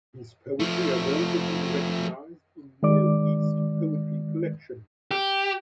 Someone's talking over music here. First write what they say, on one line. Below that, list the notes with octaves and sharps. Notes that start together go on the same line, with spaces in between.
His poetry has also been recognized in Near East poetry collections.
F3 A3
D#3 G#3 D5 D6
G4